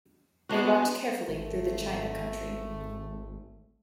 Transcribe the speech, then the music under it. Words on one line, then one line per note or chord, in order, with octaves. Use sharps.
They walked carefully through the china country.
B3 D4 F#4
G#1 A3